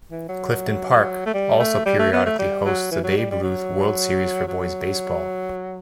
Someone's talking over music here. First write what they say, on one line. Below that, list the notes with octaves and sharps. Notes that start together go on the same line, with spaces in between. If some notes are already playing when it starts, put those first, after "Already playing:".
Clifton Park also periodically hosts the Babe Ruth World Series for boys baseball.
E3
F#3
A3
G3
A3
G3
A3
B3
A3
G3
F#3
E3
F#3
G3
G3
F#3
F#3